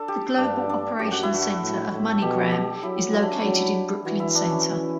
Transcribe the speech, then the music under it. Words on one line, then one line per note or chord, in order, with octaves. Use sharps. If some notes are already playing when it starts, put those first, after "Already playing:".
The Global Operations Center of MoneyGram is located in Brooklyn Center.
Already playing: D4 A4
G4
G2 D4
D4
F#2 G4
F#4
E4
G2 F#4
A2
A2
A4
B2 G4
G4
F#3 E4
E4
D4
C#4
F#3 D4
E3 F#4
E4
D4
C#4